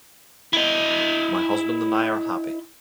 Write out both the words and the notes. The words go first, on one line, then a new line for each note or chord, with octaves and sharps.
My husband and I are happy.
E4 D#5